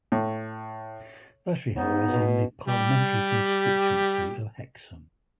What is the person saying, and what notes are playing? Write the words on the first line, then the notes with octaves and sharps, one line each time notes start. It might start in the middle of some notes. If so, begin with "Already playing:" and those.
Butteryhaugh is in the parliamentary constituency of Hexham.
A2
G#2 C#3 B3 D#4
B2
G3 G4